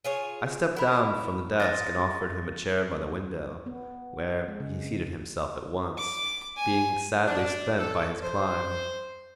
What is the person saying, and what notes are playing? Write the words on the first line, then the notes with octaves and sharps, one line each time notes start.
I stepped down from the desk and offered him a chair by the window, where he seated himself at once, being sadly spent by his climb.
F4 G#4 C#5
E4 A#4 F#5 B5
G#3 D#4 F4 D#6 A6 A#6
B3
G#3
C#3
D6
G#5
D4
A4
C5